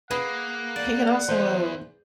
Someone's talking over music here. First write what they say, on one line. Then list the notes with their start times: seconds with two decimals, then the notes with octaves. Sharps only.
he could also
0.11 A#3 G#4 B4 F#5
0.76 D5
1.29 E2 C5